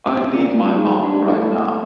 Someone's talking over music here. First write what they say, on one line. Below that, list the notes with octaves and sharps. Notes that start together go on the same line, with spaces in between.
I need my mom right now.
A#2
G#2
G2
G#2
A2